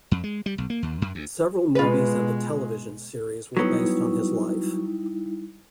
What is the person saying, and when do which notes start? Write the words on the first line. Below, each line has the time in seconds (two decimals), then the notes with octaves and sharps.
Several movies and a television series were based on his life.
0.11 F2
0.24 G#3
0.46 G3
0.58 B1
0.70 A#3
0.83 D#2
1.02 F#2
1.15 D2
1.75 B2 G#3 F4 B4
3.57 F#3 G3 B3 D#4 E4